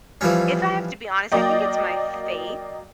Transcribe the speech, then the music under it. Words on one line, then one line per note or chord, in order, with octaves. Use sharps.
if I have to be honest, I think it's my faith.
E3 F3 G3 C#4
F#3 A#3 D5 D#5 G5